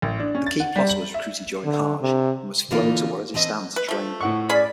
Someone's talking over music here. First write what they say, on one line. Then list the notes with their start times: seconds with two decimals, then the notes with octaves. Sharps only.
The key plotter was recruited during Hajj and was flown to Waziristan to train.
0.02 A1
0.20 D4
0.35 C#4
0.47 A6
0.60 F#5
0.76 G3
0.89 F#7
1.14 E5
1.65 D3
2.01 C3
2.71 B2 D3 E3 A#3 D#4 F4
3.34 E3 A3 C4 D#5
3.76 B4
3.88 F3 A3
4.21 A2 F#5 C#6
4.49 C#4 G#4 D5 B5